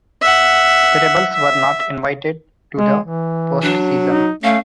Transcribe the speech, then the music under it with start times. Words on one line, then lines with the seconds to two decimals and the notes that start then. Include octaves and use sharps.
The Rebels were not invited to the postseason.
0.22 E5 F#5
1.33 E5
2.79 G#3
3.04 E3
3.62 F#3 D4
4.09 D#4
4.44 A3 C#4 F5